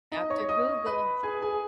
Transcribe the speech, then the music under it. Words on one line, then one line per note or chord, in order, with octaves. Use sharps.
After Google,
D#4 D#5
C#5 C#6
D#5 D#6
B4 B5
G#4 G#5
G#4 G#5